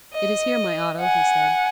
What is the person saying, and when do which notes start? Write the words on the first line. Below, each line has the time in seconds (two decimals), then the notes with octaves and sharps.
"It is here, my Otto," he said.
0.14 D#5
1.00 F#5 G#5